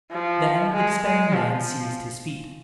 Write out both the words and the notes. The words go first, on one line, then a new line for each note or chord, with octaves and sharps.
Then the despairing man seized his feet.
F3
G#3
G#3
F3